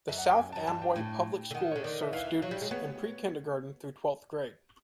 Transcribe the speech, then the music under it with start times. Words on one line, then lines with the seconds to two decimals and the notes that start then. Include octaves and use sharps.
The South Amboy Public Schools serve students in pre-kindergarten through twelfth grade.
0.09 F#2 E5
0.18 F#5
0.28 G5
0.38 G#5
0.52 F#2 A5
0.67 G2 A5
0.82 G5
0.96 A2
1.51 D3
1.55 D#3 F#5
1.72 D3 C#5
1.83 D#3 D5
1.92 D#5
2.03 E5
2.13 E3 F5
2.27 F5
2.41 F#3 F5
2.51 G3 C#5
2.62 G#3
2.71 B3 C#5